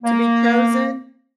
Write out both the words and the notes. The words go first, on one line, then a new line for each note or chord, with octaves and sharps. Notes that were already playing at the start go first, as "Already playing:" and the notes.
to be chosen.
A#3